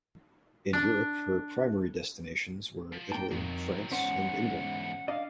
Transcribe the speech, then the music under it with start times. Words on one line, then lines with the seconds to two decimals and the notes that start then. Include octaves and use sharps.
In Europe, her primary destinations were Italy, France and England.
0.73 D4
2.92 F3
3.12 A#3 G5 A5
3.31 F2 D#3 F#3
3.92 E2 G#2 C#4 C5 F#5
5.08 D4 D5 D#5 F5